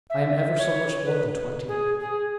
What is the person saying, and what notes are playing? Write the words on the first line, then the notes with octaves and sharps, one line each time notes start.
I am ever so much more than twenty.
E5
C#5
B4
G#4
G#4